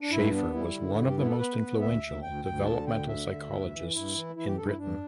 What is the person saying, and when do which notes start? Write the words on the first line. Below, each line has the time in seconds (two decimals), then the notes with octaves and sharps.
Schaffer was one of the most influential developmental psychologists in Britain.
0.01 D4
0.11 G2 E4
0.32 B3 D4
0.53 G3 E4
0.74 D3
0.96 G2 E4
1.07 G4
1.17 B3 E4
1.27 A4
1.38 B3 B4
1.59 B3
1.80 D2 E5
2.02 D2
2.23 D2 G5
2.44 D2 G5
2.65 D3 A5
2.87 D2 G5
3.08 D3 E5
3.29 D2
3.51 G2
3.72 E3
3.93 G2 E4
4.14 E3
4.35 E3 E4
4.46 G4
4.57 G2 A4
4.67 E4
4.78 G2 D4